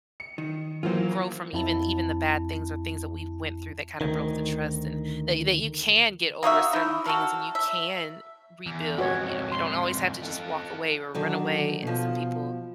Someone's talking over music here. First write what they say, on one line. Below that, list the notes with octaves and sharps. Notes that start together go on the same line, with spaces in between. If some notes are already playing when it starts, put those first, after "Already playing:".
grow from even even the bad things or things that we've went through that kind of broke the trust and that that you can get over certain things and you can rebuild. You know, you don't always have to just walk away or run away. Yeah, some people,
C#7
D#3
E3 F#3 A#3 F4 C5
F2 E4 A5
D2 D#3
A#3 D#4 F#4 E5
D#4 E4
F#4 A4 A#4
E5
E2
F2 G#2 F#4 C#5
C6
F4 A4
D3 D#3 F#3
B2 F3